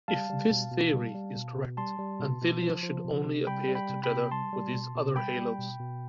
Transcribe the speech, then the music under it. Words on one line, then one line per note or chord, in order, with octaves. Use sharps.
If this theory is correct, anthelia should only appear together with these other haloes.
G3 F5 A5
G3
B2
B2
G3
G3
B2
B2
G3 A5 C6
G3
B2
B2
F3
F3
C3
C3
G3 G5 B5
G3
G5 B5
C3
G5 B5
C3
G3 A5 C6
G3
B2
B2
G3 G5 B5
G3
B2
B2